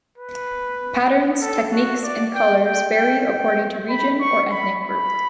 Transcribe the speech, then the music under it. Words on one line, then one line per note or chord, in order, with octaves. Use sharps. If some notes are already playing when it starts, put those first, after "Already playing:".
Patterns, techniques and colors vary according to region or ethnic group.
B4
A4
F#4
D5
G5
G5
G5
G5
B5
C#6
B5
B5